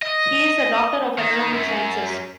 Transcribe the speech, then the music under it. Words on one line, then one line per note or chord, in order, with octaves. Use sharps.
He is a doctor of economic sciences.
D#5
D#3
F#2